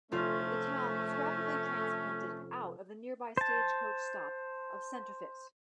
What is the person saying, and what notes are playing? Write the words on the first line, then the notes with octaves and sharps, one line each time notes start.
The town was rapidly transplanted out of the nearby stagecoach stop of Senterfitt.
F1 A3 C#4 F4
C5 A5